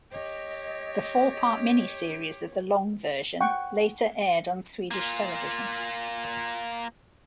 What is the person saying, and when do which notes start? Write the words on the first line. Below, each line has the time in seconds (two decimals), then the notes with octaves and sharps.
The four-part miniseries of the long version later aired on Swedish television.
0.12 G4 C#5 D#5
3.41 F#5 G5 C#6
4.91 A#3 F4